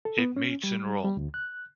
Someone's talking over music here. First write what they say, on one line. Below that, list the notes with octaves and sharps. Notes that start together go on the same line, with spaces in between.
It meets in Rome.
A4
B3
C#4
G3
G3
D2
F#6